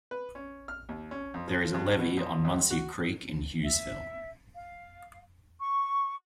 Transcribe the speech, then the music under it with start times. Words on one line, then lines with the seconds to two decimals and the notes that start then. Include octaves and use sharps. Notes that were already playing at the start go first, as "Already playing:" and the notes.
There is a levee on Muncy Creek in Hughesville.
0.11 B4
0.35 C#4
0.68 F6
0.89 D#2
1.11 C#4
1.34 F2
1.48 F3
1.74 G2
1.99 B2
2.17 F2
2.45 C#2
2.70 F#4
3.65 E5
4.54 F5
5.60 C#6